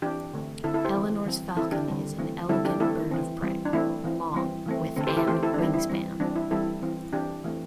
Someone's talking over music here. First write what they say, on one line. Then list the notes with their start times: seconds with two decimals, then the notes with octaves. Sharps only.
Eleonora's falcon is an elegant bird of prey, long with an wingspan.
0.02 E3 C4 D4 G4
0.33 D3 A3 C4
0.64 D3 C4 E4 A4
0.74 E4 A4
0.85 G4 C5
0.95 E3 C4
1.26 E3 G3 C4
1.57 E3 C4 E4 A4
1.72 D4 G4
1.88 D3 G3 C4
2.18 E3 A3 C4
2.49 D3 G3 C4 E4 A4
2.65 D4 G4
2.80 E3 A3 C4 E4 A4
3.11 E3 C4
3.42 E3 G3 C4
3.65 D4
3.73 E3 A3 C4 E4
4.04 E3 C4
4.35 E3 G3 C4
4.66 E3 A3 C4
4.96 D3 A3 C4 A4
5.07 G4 C5
5.17 E4 A4
5.27 E3 A3 C4 G4 C5
5.43 E4 A4
5.54 D4
5.59 E3 G3 C4 E4
5.74 E4
5.89 E3 G3 C4
6.20 E3 G3 C4 D4
6.36 E4
6.51 E3 G3 C4 E4 A4
6.82 E3 C4
7.13 E3 C4 D4 G4
7.44 E3 A3 C4